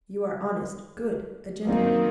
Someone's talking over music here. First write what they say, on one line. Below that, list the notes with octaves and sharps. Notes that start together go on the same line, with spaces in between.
You are honest, good, a gentleman.
F#2 D#3 A#3 C4 D#4